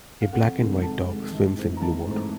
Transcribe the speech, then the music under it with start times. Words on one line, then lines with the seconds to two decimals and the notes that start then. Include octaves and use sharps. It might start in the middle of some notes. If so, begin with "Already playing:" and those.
A black and white dog swims in blue water.
0.22 F5
0.33 F2 F#5
0.58 C3 D#3 G#3
0.82 F2 A5
1.07 C3 D#3 G#3
1.32 G#1
1.57 G#2 E3 A3 C4
1.77 A#5
1.81 G#1 A5
2.06 G#2 E3 A3 C4